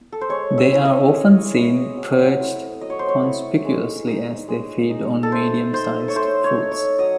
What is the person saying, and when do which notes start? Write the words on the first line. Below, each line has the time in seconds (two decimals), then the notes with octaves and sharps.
They are often seen perched conspicuously as they feed on medium-sized fruits.
0.12 A4
0.21 C5
0.29 G#3 C#5
0.58 E5
0.72 C#4 E4
0.85 D#5
1.14 G#3
1.55 C#4 E4
1.97 F#3
2.38 A3 C4 E4
2.81 F#3 D#5
2.90 C#5
2.99 C5
3.09 C#5
3.23 A3 C4 E4
3.65 G#3
4.07 D#4
4.48 G#3
4.90 D#4
5.23 A4
5.32 A3 C5
5.73 D#4 C5
6.08 C#5
6.15 A3 C5
6.44 C#5
6.58 D#4
6.72 C#5
6.99 F#3 D#5